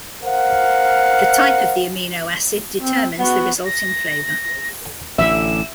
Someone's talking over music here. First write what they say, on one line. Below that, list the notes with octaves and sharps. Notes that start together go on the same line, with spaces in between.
The type of the amino acid determines the resulting flavor.
A#4 C5 F5 F#5
C4
B3 F#4
A#6
A1 D3 E5 E7